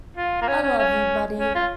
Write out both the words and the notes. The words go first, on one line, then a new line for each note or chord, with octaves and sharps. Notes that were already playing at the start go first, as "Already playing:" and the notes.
I love you, buddy.
F4
A#3
C#4
C#4
C#4
C#4
F4